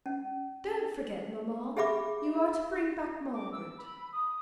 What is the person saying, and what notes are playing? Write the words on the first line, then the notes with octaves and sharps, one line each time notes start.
Don't forget, mamma; you are to bring back Margaret.'
C#4
G4 G#4 E5 B5 D6
D6
E6
B5
D#6